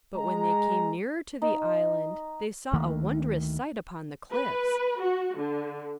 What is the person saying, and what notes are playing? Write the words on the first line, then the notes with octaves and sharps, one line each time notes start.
But when they came nearer to the island they saw a wondrous sight upon the cliffs.
G#3 A#5
D#4
D2 D#3 A3 A#3
B4
F#4
D3